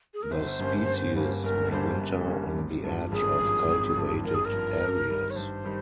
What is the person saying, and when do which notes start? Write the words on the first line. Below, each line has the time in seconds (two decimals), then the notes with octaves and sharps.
The species may winter on the edge of cultivated areas.
0.14 G#4
0.23 A#4
0.31 G1 C5
0.59 G2 G3 A#3 C#4
0.87 G1
1.16 G2 G3 A#3 C#4
1.43 G1 A#4
1.71 G2 G3 A#3 C#4 C5
2.00 G1
2.28 G2 G3 A#3 C#4
2.56 G#1
2.84 G2 F3
3.12 G#1 G#4
3.40 G2 F3
3.68 G#1
3.96 G2 F3
4.24 G#1 A#4
4.34 G#4
4.45 A#4
4.52 G2 F3
4.80 G2
5.09 D#3 G3
5.30 C#5
5.36 G2 C5
5.64 D#3 G3